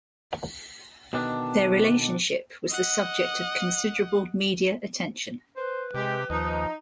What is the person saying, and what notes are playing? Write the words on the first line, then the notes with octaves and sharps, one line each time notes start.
Their relationship was the subject of considerable media attention.
B2 D3 D#3 D4
D#5 F#5
B4 C5
C3 G#3 G4
D#2 F3 D#4